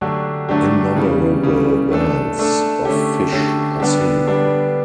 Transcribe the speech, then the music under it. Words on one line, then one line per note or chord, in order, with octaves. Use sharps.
Innumerable bands of fish are seen.
D3 F#3 A3 D4 G4
D3 F#3 A3 D4 G4
C#3 E3 G3
C#3 E3 G3
A3 D4 A4
A3 D4 A4
D3 A3 C#4 G4
D3 A3 C#4 G4
D3 G3 B3 D4 G4
D3 G3 B3 D4 G4